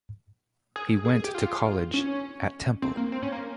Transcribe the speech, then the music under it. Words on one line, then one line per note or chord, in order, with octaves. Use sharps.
He went to college at Temple.
G#4
G#4
G#4
G4
F4
C#4
C4
A#3
C4
C#4
A#3